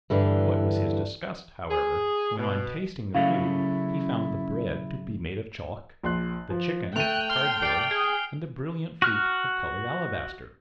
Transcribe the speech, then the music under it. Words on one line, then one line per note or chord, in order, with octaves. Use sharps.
What was his disgust, however, when on tasting the food, he found the bread to be made of chalk, the chicken of cardboard, and the brilliant fruit of colored alabaster!
G2 D3 E3
G#4
B2
C#3 F#3 A3 C#4 E4 F5
A#1 C6 F#6
F3
A3 G5 F#6 D#7 F7
C6 F6 G7
D5 C7 D7
G#4
F#4 F6 F#6